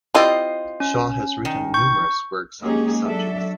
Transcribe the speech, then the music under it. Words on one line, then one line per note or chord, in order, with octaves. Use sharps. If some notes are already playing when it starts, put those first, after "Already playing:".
Shaw has written numerous works on these subjects.
C4 E4 F4 G4 C5 D#5
C#4
D#3
C#6 G6
G#3 A#3 C#4 D#4 G4 G#4
F#3 D4 A4 E5